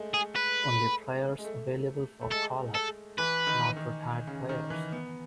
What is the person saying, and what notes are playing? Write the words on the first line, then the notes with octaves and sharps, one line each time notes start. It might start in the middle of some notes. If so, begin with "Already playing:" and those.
Only players available for call-up, not retired players.
Already playing: G#3 A3
G#4
B4
G#3
A3
A3
G#3 A4
A4
E3 B4
D#3
D#3
C#3
D#3
E3
B3